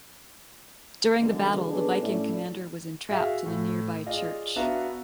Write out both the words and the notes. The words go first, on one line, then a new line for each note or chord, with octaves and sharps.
During the battle the Viking commander was entrapped in a nearby church.
F#2 B2 D3 E3 G#3
C#3 B3 D4 G#4 A4 B4
A2 A3 C#4 E4 D5
F#4 G#4 E5 F5
A2
F4 G#4 D5 D#5 F5
B3 D4 F#4 E5 F5 A#5